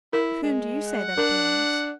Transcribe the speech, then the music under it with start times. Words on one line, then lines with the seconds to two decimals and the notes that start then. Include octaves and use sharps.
"To whom do you say that it belongs?"
0.13 E4 A#4
0.43 G#3
0.85 F#5
1.18 D4 A#4